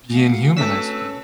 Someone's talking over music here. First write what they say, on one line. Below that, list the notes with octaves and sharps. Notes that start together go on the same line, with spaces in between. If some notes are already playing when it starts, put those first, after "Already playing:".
being human, I suppose.
A3 F#4 F5 F#5
C4 C#4 A4 B4 E6 B6